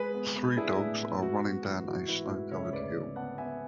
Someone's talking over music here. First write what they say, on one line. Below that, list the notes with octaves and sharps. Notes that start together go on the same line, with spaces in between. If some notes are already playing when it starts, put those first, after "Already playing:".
Three dogs are running down a snow covered hill.
Already playing: G#3 G#4 B4
B3
B3
D4 E4 G#4
A2
B3
G#2 F#4
B3
E3
E3 F#4
E3 E4
G#2 F#4
C#3 C#5 E5
D2 B4 D5
C#3
B3 F#5 A5
B3 E5 G#5